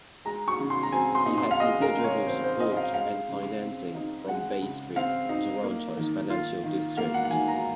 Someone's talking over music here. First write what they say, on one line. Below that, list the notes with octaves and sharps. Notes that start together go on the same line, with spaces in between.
He had considerable support and financing from Bay Street, Toronto's financial district.
G#3 A#5
C#6
C#3
C6
A#5
C4 G#5
C6
D#4
C6
F5
G#3 D#5
A#4
C#3
C#5
C4 C5
C5
D#4 D#5
D#5
F5
G#3 F5
C#3
C4
D#4
G#3 F#5
C#3
C4 F5
D#4
A#3
D#3
F4
D#3
A#3 F5
F#5
F#5
D#3 G#5
A#5